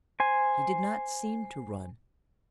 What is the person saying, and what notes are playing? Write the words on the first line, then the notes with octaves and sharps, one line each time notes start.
He did not seem to run.
C5 G#5